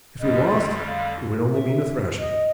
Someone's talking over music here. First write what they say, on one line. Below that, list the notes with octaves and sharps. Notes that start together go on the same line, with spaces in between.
If he lost, it would only mean a thrashing.
F2 D3 G3 D#5
F5
E5
D#5